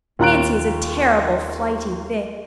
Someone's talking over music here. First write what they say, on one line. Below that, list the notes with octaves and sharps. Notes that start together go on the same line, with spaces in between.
Nancy is a terrible flighty thing.
D#2 F4 A#5 F#6 D7